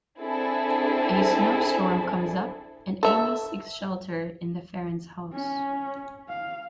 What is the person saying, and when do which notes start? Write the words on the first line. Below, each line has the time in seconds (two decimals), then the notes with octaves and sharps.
A snow storm comes up, and Amy seeks shelter in the Farrens' house.
0.21 C4 D4 E4 G#4 A4
3.03 A4 E5
5.33 C#4
6.28 F5